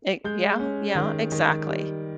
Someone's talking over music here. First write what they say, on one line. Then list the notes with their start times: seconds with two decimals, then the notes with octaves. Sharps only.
E yeah, yeah, exactly.
0.24 G#3 G6
0.60 C#4
0.95 D#3
1.32 D#3
1.67 G3